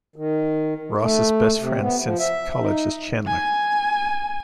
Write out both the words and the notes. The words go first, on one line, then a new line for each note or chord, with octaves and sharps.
Ross's best friend since college is Chandler.
D#3
A3
C3
B3
F3
E5
D#4
G#5